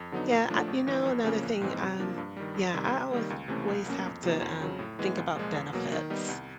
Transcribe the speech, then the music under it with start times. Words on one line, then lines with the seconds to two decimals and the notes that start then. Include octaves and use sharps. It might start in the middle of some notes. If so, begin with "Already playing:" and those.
yeah, I you know, another thing, um, yeah, I always ways have to, um, think about benefits,
Already playing: F2
0.12 D3 F#3 B3 D#4
0.30 A#2
0.50 F3 A3 D4
0.68 G1
0.87 G2 E3
1.05 F2
1.24 C#3 F3 A#3 C#4
1.43 A#1
1.61 G#2 E3 G#3 C4
1.81 C3
1.99 F3 A#3 D4
2.18 G2
2.37 D#3 G3
2.55 F2
2.74 C3 D#3 G3 C4
2.92 C3
3.11 D#3 G3 A#3
3.30 C#2
3.48 C3 E3 A3 C#4
3.68 B1
3.86 B2 F#3 A#3 C#4
4.05 F2
4.23 C3 F3 A#3 D#4
4.42 F2
4.61 C#3 F#3
4.79 A2
4.99 E3 G#3 B3
5.17 C2
5.35 A#2 F3 G#3
5.54 E2
5.73 B2 F#3 A#3
5.92 D#3
6.10 G3 B3 D#4
6.28 C2